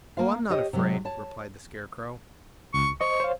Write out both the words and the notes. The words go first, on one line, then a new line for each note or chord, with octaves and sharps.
"Oh, I'm not afraid," replied the Scarecrow.
A#3 F5
G4 C5 C#5 D#5
C3 F#3 G#3
C#5 A5
C#2 C#6
C5 D#5 C#6
C5 C#5 F5